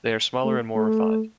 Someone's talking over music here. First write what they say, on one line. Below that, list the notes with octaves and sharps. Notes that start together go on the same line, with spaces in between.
They are smaller and more refined.
A3
A3